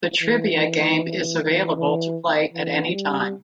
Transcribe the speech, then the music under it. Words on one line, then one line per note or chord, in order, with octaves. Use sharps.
The trivia game is available to play at any time.
E3
E3
E3
G3